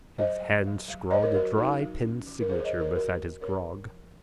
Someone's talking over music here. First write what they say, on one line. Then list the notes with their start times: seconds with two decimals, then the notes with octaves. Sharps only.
His hand scrawled a dry pen signature beside his grog.
0.18 F#3 C5 D#5
0.41 F#3
0.65 F#3
0.88 F#3
1.10 F#3 C5 D#5
1.22 A#4 C#5
1.34 F#3 F#4 A#4
1.57 F#3 D#4 F#4
1.80 F#3
2.03 C#4
2.26 D#3
2.41 A#4
2.49 F#3 G#4 C5
2.59 C#5
2.65 C5 D#5
2.72 D#3
2.80 A#4 C#5
2.95 F#3 F#4 A#4
3.19 F#3
3.41 C#4 A#4 C#5
3.64 F#3
3.87 F3